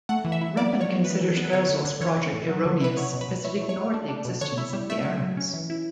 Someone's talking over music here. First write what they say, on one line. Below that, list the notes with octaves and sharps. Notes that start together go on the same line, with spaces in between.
Ruppin considered Herzl's project erroneous because it ignored the existence of the Arabs.
A3 F#5
E3
E5
E4
F#3 D5
B3
C#5
F#3
E3 B4
E3
B3
B4
D3 C#5
D3
D3
E3 C#5
E3
A2
F#3
D3
E4 B4
B3 C#5
B2
B4
B2
E4 C#5
A3
C#5
F#3
D4
D4
B2
D3 C#5
E4
G3
A3 E5
F#3
F#3
C#4
E3
E4